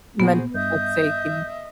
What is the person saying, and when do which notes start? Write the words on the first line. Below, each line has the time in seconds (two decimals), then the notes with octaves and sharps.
mental health sake here.
0.20 A#2 B3 F#4 G#4 C5
0.54 G2 D#5 E5 D#6 G6